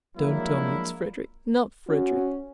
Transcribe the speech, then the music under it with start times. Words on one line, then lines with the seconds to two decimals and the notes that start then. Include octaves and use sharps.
Don't tell me it is Frederick--not Frederick.
0.17 F3 F#3 G#3 A#3 D4 E4
1.89 C#4 F#4